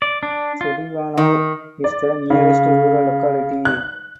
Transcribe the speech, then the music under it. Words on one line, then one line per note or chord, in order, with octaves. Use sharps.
Selivanov is the nearest rural locality.
D5
D4
F4
D#3
D5
C#3
F#6